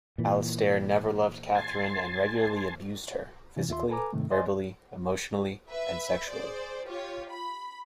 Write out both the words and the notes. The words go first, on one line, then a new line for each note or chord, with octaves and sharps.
Alistair never loved Katherine and regularly abused her-physically, verbally, emotionally, and sexually.
A#2 E3
G#5 A5 C6
C3 E3
D#2 F4 E5 C6
A4 B4 G#5 A#5 D6
G#2 C3 D#3 A3
C5 D5 D#5 G#5 C6 A6
B4 E5
G#4 C5 D5
F4 G4 C#5
B5